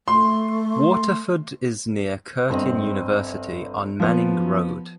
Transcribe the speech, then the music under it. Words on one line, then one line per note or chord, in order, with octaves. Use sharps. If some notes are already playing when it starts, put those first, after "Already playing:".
Waterford is near Curtin University on Manning Road.
A3 C6
G1 C4 D#5
F3 B3